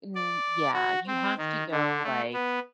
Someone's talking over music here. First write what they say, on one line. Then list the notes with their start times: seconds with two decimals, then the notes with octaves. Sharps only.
mm, yeah, you have to go, like
0.15 D5
0.74 F#4
1.07 C4
1.38 D#3
1.72 D3
2.04 A3
2.33 B3